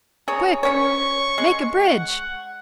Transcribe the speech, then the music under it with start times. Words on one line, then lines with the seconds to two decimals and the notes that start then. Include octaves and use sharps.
Quick!--Make a bridge!
0.28 G#4 C#5 A#5
0.63 C#4 C#5 C#6
1.38 G#3
1.84 F#5